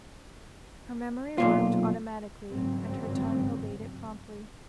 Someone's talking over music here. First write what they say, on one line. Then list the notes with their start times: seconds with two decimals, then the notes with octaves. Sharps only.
Her memory worked automatically, and her tongue obeyed it promptly.
1.38 B1 A#2 F4
2.52 G#1 G2 C#3 F#3 C4